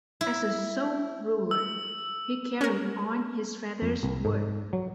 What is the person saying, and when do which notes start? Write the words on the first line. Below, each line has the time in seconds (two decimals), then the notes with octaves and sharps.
As a "sole ruler" he carried on his father's work.
0.21 E4
1.51 E6
2.61 C#4 A#4
3.82 F2
4.03 C2
4.25 G#2
4.73 F#3